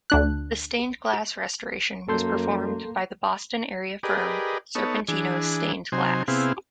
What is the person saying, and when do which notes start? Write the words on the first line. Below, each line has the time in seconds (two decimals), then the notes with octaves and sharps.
The stained glass restoration was performed by the Boston-area firm "Serpentino Stained Glass".
0.10 D2 D4 F#6
2.09 F#2 A#3 A4 C6 G6
4.03 G4 G#4 A#4 B4 D5 D#5
4.75 B3 D#4 A4 C#5
5.08 E3 D4 G#4
5.92 C3 F#3 D#4 C5 G#5
6.28 C3 B3 C4 E4 G#4 F5